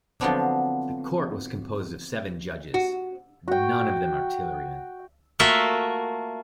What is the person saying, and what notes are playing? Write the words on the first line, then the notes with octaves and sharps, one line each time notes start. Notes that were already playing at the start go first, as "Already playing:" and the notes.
The court was composed of seven judges, none of them an artilleryman.
D3 F3 F#3 B3 C4 D4
F#4
F#4 G5
A3 A#3 F4 F#4 E5